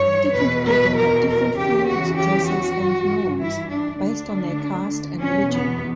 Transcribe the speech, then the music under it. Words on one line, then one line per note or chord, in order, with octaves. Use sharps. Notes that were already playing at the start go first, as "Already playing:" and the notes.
Different people have different foods, dresses and norms based on their caste and religion.
Already playing: G2 E3 C#5
E2 B2 B4
B4
A#4
A#4
E2 C#3 E3 G4
F#4
G4
F#4
G2 E3
E4
D4
D2 D3 D4
E2 B2 C#4
B3